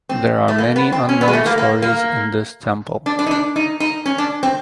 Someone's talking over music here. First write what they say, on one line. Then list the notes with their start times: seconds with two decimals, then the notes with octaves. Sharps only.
There are many unknown stories in this temple.
0.09 C4
0.48 A3
0.58 A#3
0.76 B3
0.92 C4
1.09 C#4
1.21 B3
1.28 G#3
1.33 A3
1.46 A#3
1.58 A#3
1.82 A#3
3.06 D4
3.19 D4
3.26 D#4
3.31 D4
3.56 D#4
3.80 D#4
4.06 C#4
4.18 D4
4.43 C4